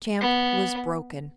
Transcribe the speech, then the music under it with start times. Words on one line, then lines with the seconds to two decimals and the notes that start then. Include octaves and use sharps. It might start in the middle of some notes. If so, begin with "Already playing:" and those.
Champ was broken.
0.21 B3